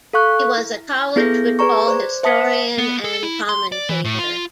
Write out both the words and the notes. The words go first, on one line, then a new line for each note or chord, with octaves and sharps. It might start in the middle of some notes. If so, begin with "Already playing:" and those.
He was a college football historian and commentator.
A4 F5 C#6 F#6
E4
B3 E4 G#4 A4 G6 A#6
G#4 B4 D5 A#5 C#6
C5 D5
C5 E5 A5 D#6 B6 C#7
B3
A4
E4
C6
D5
E3
A2
F4